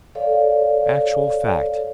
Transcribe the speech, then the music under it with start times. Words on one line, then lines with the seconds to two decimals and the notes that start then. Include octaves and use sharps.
"Actual fact!"
0.15 A4 C#5 D5 F5